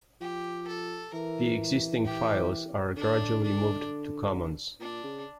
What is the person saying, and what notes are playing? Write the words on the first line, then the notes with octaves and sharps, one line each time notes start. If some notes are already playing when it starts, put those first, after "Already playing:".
The existing files are gradually moved to Commons.
F3 G4
A4
E3 A#4
G4
D3 D4
D4
A#2 D4
C#3